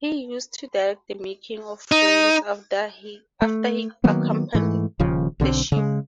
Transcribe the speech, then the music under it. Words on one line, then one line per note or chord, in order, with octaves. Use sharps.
He used to direct the making of frames after he accompanied the ship.
D#4
A3
D#3 F#3 A#3 B3
G#2 E3 A3
D#1 D#2 C#3 F3
B1 D3 E3 C4
C#3 G#3